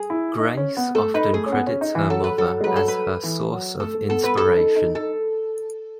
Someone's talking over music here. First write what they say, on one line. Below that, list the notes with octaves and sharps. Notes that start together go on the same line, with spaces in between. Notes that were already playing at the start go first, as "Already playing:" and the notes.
Grace often credits her mother as her source of inspiration.
Already playing: G#4
E4
D#4
C#4
B3
A3 A4
D#4 B4
A3 G#4
C#4
B3
C#4
D#4
E3
F#3 A4
B4
F#3 A4
G#3
F#3 B4
A4
B4
E3
F#3
A3 A4
A3
B3 A4
B3 B4
A4
C#4
D#4
D#4
D#4 A4